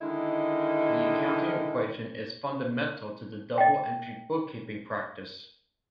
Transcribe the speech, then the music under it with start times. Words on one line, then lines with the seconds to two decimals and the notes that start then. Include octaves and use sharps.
The accounting equation is fundamental to the double-entry bookkeeping practice.
0.01 D3 D#3 G#3 D#4 E4
3.58 D#5 G5